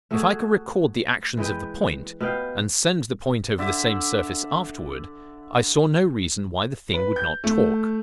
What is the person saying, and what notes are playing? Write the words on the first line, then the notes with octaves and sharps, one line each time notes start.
If I could record the actions of the point, and send the point over the same surface afterward, I saw no reason why the thing would not talk.
A3 F#4 G#4
E3 G#3 B4 G5
B2 B4 F5 G5
D3 D5 E5
B4
G6
A3